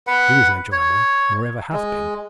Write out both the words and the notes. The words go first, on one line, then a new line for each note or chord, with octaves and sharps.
Here is no Joanna, nor ever hath been.
B4 F#5
C#5
G#3